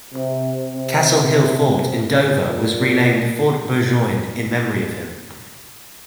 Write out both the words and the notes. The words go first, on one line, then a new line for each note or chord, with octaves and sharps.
Castle Hill Fort in Dover was renamed Fort Burgoyne in memory of him.
C3
C3
A#2